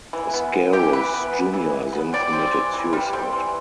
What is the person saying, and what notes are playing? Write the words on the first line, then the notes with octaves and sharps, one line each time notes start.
Scaurus Junior then committed suicide.
E3
B3
B3
E3 G4
E3 B4
B3
B3
E3
E3
B3
G3 D5
C4
E3
E3
G3
C4
E3